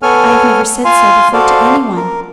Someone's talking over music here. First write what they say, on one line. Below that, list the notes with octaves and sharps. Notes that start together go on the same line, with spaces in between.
I have never said so before to any one.
B3 A4 C#5 G#5 F6
F4 F5 G#5 C6
F#4 A4 C5 D5 F5
A#4